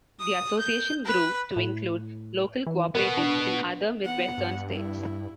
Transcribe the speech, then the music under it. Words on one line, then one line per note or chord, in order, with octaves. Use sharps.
The association grew to include local cooperatives in other Midwestern states.
D#6
G6
B4
A2
E3
B3 F#4 A#4
D4
B3 F#5
G2
E4